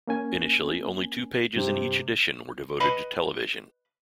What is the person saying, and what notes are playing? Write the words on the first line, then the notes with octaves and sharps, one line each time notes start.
Initially only two pages in each edition were devoted to television.
A#3 C#4 G#5
G2 C3
B4 D#5 B5